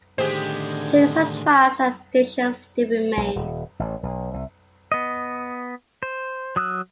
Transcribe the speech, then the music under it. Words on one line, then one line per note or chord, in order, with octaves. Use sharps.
Today some tracks and stations still remain.
A2 D3 D#3 G#3 G4 G#4 C5
B1
D#1
A1
B1
C2
B3 D#5
C5
F#3 D#6 E6 F#6